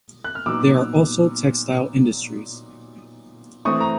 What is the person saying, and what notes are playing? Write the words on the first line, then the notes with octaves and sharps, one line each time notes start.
There are also textile industries.
F#6
F6
A#2 F#3 B3 D#4 D6 E6
E3 A3 C4 C#6 D#6
A#5